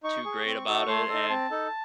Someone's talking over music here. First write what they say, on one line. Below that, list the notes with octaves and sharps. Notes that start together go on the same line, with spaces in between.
too great about it, and
D#4 C#6
G#4
C4
D#4 F#4 A4
A3 C6
D#4 A4
C4 A5
D#4 A4